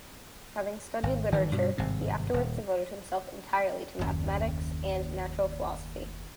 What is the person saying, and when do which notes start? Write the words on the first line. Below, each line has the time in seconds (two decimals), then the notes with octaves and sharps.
Having studied literature, he afterwards devoted himself entirely to mathematics and natural philosophy.
1.03 G#1
1.32 G1 D#3 E3
1.52 G2 B2 G3
1.78 G#1 G2 C3
2.34 D#1
3.99 F#1 D#2